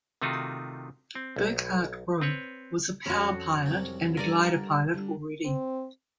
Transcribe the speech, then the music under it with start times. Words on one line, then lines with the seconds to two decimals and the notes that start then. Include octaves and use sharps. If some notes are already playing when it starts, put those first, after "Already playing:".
Burkhart Grob was a power pilot and a glider pilot already.
0.22 C3 D#3 A3 D#4 F4 F#4
1.15 C4
1.36 B1
2.21 C4 B4 C#5
3.06 F2 C#4 F#4 A4
3.66 C2 C3 F#3
4.17 G2 D3 A#4 D5 G#5
4.94 D3 G3
5.45 C4